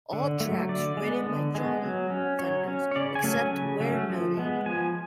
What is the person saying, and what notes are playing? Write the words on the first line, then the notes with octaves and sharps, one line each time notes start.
All tracks written by Johnny Thunders, except where noted.
D3
F#3 A3
D3 D5
G#3 B3
D3
G#3 B3
F#3
C#4
F#3 C#5
C#4
C#5
C#3 D5
G#5
F#3 A3 C#4
G#5
C#3
F#3 A3 C#4
F3
G#3 B3
F3 G#5